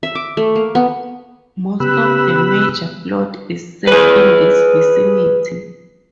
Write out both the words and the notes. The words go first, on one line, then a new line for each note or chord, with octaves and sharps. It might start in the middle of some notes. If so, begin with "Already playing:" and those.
Most of the major plot is set in this vicinity.
E5
D6
A3
A#3
B3
C#3 B3 G4 B5 E6 F#6
G#4 B4